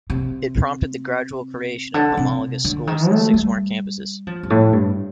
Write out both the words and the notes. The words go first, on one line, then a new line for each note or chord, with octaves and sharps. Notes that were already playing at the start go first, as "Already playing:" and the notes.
It prompted the gradual creation of homologous schools in six more campuses.
C3
D3
C3
D3
D#3
A3
G3
F3
G2
A2
G2